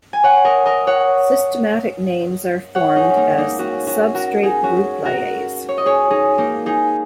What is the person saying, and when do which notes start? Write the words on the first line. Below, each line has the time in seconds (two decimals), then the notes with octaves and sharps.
Systematic names are formed as "substrate group-lyase".
0.13 G#5
0.24 C#5 F#5
0.45 A#4 D#5
0.66 A#4 D#5
0.87 C#5 F#5
2.75 C#5 F#5
2.96 D#4 G#4
3.10 C#4
3.17 A#3 D#4
3.38 A#3 D#4
3.59 C#4 F#4
3.87 C#4 F#4
4.15 F#4 A#4
4.43 D#4 G#4
4.63 C#4 F#4
5.05 F#4 A#4
5.69 C#5
5.78 D#5
5.86 G#4 C#5
6.11 D#4 G#4
6.38 A#3 D#4
6.66 D#4 G#4